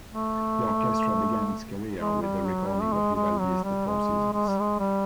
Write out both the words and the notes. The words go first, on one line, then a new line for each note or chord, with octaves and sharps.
The orchestra began its career with a recording of Vivaldi's "The Four Seasons".
A3
G#3
G3
F#3
G3
A3
G#3
G#3
F#3
G3
G#3
G#3
G3
G#3
G3